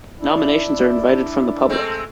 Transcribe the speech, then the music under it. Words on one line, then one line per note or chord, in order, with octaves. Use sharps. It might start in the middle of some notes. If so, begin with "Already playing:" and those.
Nominations are invited from the public.
D4 E4
G#3 A3 C4